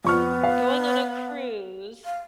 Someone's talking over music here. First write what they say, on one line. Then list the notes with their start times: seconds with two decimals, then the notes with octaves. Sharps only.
eh, going on a cruise,
0.05 F2 B3 C#6 F6
0.43 F5
2.05 F5